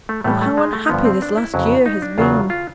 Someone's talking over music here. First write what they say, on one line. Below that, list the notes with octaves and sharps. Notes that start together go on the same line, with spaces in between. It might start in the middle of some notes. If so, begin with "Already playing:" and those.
Oh, how unhappy this last year has been!
A3
A2 E3 G3 A3
A3
G#3
A3
G2 D3 F3 B3
C4
D4
E4
F2 C#3 F#3
D#4
D4
E2 C#3 F#3 F4
F4